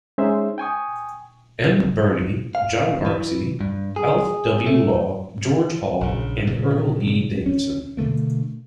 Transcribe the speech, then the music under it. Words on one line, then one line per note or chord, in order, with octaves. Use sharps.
M. Birnie, John Arksey, Alf W. Law, George Hall and Earl E. Davidson.
G#3 C#4 D#4 G#4 C5 E5
G5 G#5 C#6 D#6
F5
E3
G2
G#4
A3
A#1 C#3
A#2 C#3 F3
C#4
B2 D3 A3 A#3